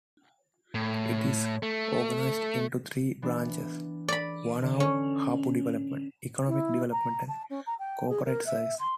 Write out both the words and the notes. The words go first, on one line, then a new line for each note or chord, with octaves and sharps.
It is organised into three branches: "Whanau Hapu Development", "Economic Development" and "Corporate Services".
A2
A3
E3 B3 D4
D5 B5
D3
C#4
E4
A#5
A5
C#4
A#5
G5
G#4
A#4
E5
C6